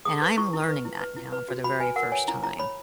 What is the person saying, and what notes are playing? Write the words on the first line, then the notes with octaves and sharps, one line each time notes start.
and I'm learning that now for the very first time.
G#4 D#6
B4
E4 C#6
E4
B4
E4
B4
E4
B4
F#4
F#4 B5
B4 G#5
A#4 F#5
C#5 G#5
E4 A#5
E4 A#5
C#5 B5